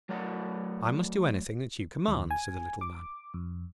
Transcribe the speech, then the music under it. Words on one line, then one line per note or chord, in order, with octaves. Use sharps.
'I must do anything that you command,' said the Little Man.
F#3 A3 A#4 D5 F#5
D#2
G#5
D6
F2